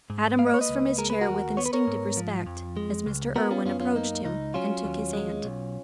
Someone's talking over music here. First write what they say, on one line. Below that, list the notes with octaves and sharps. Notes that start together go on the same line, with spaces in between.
Adam rose from his chair with instinctive respect, as Mr. Irwine approached him and took his hand.
G#2
A#3 F5
D#5
C#5
B4 D#5
C#2
G#3 A#4
B4
F#4 A#4
D#2
B3 C#5
B4
A#4 C#5
G#2
F3
F2
G#3
C#2
B3 F#4 A#4
C#4 F4
F#2 C#4 F4
C#4 F4
A#3 D#4
C#2 D#4
F#3 C#4 F4
D#2
G#3
B1